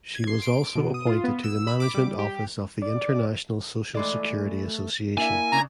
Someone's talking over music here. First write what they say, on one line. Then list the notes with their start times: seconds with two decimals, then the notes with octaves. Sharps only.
She was also appointed to the management office of the International Social Security Association.
0.15 G#6
0.27 C6
0.42 D7
0.75 B2
0.94 D#6
1.07 F4
1.24 B3
1.44 E6
1.67 B5
1.80 D6
1.94 G3
2.19 G4
2.82 D5
3.95 E3 G#3 A3 D5
5.18 A#3 D4 E4 E5 G#5
5.52 C#3 D4 A#5